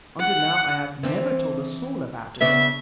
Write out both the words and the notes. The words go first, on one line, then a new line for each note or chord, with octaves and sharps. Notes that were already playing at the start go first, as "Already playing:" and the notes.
Until now I have never told a soul about it.
F#5
E3 C4 D4
C#3 B3 D4 E5